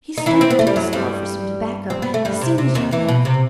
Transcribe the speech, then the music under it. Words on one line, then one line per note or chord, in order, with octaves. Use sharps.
He started to the store for some tobacco as soon as you left.
D#4
E3 E4
C4
B3
A3
G3
F#2 F#3
G2 G3
C4
B3
A3
G2 G3
C3
C3
D#2 D#3
E2 E3
B2
C3